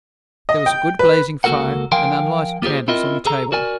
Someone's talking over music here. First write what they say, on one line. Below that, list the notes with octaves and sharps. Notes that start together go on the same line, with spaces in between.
There was a good blazing fire, and unlighted candles on the table.
D#5
G5
B4
C#2 A#3 F#4 A4 A#4 F#5
F3 A#4 F5 G5 G#5 C6
A#3 F4 G4 G#4 C5
C4 E4 F4 A#4 D#5
G#4 A4 A#5
F#4 A#4 D5 G#5